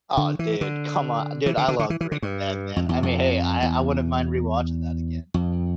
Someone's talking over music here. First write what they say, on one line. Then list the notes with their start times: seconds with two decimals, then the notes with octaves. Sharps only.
Oh, dude. Come on. Dude, I love Breaking Bad, man. I mean, hey. I I wouldn't mind rewatching that again.
0.17 D3
0.39 E3
0.61 D3
1.46 E3
1.57 D3
1.68 D3
1.79 D3
1.90 E3
2.01 E3
2.12 D3
2.22 G2
2.76 F2
2.89 E2
3.03 F2
3.63 E2
5.34 F2